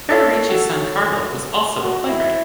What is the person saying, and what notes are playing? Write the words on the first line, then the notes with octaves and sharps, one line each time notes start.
Federici's son Carlo was also a playwright.
A4 C#5
F#4 A4
F#4
E4